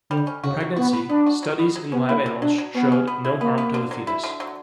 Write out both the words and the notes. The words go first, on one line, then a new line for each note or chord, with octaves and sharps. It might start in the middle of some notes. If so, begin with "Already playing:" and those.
Pregnancy: Studies in lab animals showed no harm to the fetus.
D3 G3
C#4
C#3 F#4
F#3
B3 F#4
B4
B3 D4
F#4
F#3
B3
F#3
B3 C#4
A#3 E4
F#3
F#3 D4
F#3
B3 C#4
C#4
B3
E4
A#3 B3
B3
D3
F#3
E4
D3
F#3